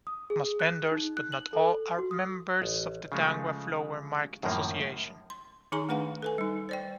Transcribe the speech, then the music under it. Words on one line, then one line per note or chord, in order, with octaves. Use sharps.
Most vendors, but not all, are members of the Dangwa Flower Market Association.
D#6
G#4
F#6
D#4
F#6
F#7
A4
F#4
D#6
A1
C#3 F3 G#3 A3
F#2 A2 D#3 F3 A#3
C6
D#3 D#4 G#4 G#5 A#5 C#6
A3 D4 B4 F5 F#5
A4 B4 G#5
G3 D#4
C5 D5 G5